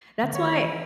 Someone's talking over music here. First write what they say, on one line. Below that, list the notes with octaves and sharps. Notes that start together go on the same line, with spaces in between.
That's why
D3
D#3 C#5
E3